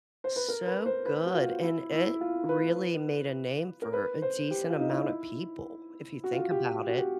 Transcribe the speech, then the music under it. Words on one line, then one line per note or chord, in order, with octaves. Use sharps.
So good, and it really made a name for a decent amount of people, if you think about it.
C5
B4
A#4
B4
C5
B4
F#4
F4
E4
E4
F4
B4
A#4
B4
C5
G4
F4
D#4
E4
F#4
F4
F#4
G4
G4
F#4
G4